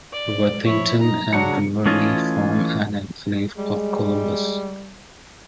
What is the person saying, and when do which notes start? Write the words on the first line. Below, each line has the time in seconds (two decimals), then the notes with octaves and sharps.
Worthington and Riverlea form an enclave of Columbus.
0.13 D5
0.65 F3 E4 C#5
1.00 D#4 A#5
1.33 C#3 F#3 D4 F#4 C#7
1.86 E3 A3 C#4 F4 D#5
3.58 G3 G#3